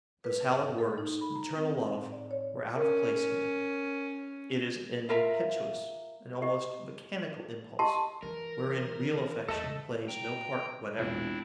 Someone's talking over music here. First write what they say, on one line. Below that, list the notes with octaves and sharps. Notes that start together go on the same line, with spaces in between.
Those hallowed words, maternal love, were out of place here: it is an impetuous, an almost mechanical impulse, wherein real affection plays no part whatever.
B4
G#2
A4
D#4
B5
A#5
C4
A2
D5
C#5
C#4 A#4
F4 A#4 E5 A#5
G4 D#5
G4 D#5 A5 C6
E3 A#4
E2 A3 B3 A4 D#5 A5
C#3
G5 A#5
E1 A#1 C4 D4 E4